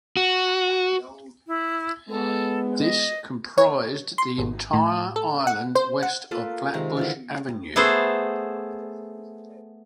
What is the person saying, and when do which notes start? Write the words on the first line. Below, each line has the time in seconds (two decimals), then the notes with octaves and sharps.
This comprised the entire island west of Flatbush Avenue.
0.17 F#4
1.48 E4
2.09 G#3 B3 A4
2.80 D#5
3.58 C#5
4.18 C6
4.38 G#1
4.73 A2
5.16 A4
5.47 F#5
5.75 C5
6.03 F#5
6.31 A#3 F4 A4 B4
6.74 C3 D#3 G#3
6.97 D3 E3 F4
7.76 A3 B3 G#4 A4 C5